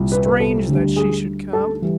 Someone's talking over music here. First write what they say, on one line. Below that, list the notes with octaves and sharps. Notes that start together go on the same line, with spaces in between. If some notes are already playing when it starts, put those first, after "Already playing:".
Strange that she should come!
Already playing: C2 A#2 G3
B4
B4
A4
D2 D3 G3
G#4
A4
E3 G3